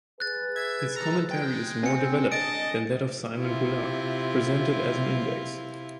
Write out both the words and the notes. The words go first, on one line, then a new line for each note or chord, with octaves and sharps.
His commentary is more developed than that of Simon Goulart, presented as an index.
G#4 B4 F#6 A6
E5 G#6
A4 A#5
G#3 G5
C4 G#5 C#7
D3 G#3 D4 D#5 A5 D7
C3 E4 F4